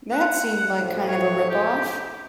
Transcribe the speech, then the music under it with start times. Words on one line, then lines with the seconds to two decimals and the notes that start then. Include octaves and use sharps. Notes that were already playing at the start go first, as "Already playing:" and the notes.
That seemed like kind of a rip off.
0.13 F#5
0.80 A2 C3 F3
1.08 C#5
1.50 G4